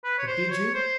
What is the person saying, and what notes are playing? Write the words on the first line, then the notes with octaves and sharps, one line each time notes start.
"But did you?"
B4
C#5
C5
C#5
C5